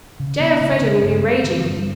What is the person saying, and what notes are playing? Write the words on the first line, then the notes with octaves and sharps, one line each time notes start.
J. Elfreda will be raging.
C#3
C#3 B3
C#3 A#3
B3
C#3 C4
D4
G2 C#4
G2
D3 C4
B3
G2
G3